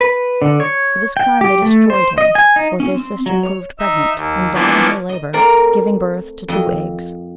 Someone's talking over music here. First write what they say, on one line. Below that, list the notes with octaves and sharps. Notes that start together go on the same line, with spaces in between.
For this crime they destroyed him, but their sister proved pregnant, and died in her labor, giving birth to two eggs.
B4
D3
C#5
G5
G4
A3
C5
D#5
G#5
D#4
C#4
C4
F#3
C#5
D#4 E5
D#2
E3 F3 A#3 B3 C#4 D4
D#5
A3 C4 A#4 D5
F2 D#5